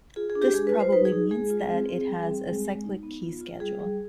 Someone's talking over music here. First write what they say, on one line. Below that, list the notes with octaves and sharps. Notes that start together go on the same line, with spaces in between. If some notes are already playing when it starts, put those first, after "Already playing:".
This probably means that it has a cyclic key schedule.
F4 G#4
G#4
D4
G4
G#3 G#4
B4
F4
C5
D#4 B4
G#4
D#4
G#3 G#4
F4
C4
C4
G3
C4
G#3
G#3
D#4
B3
F4
F4
G3 G#4
G3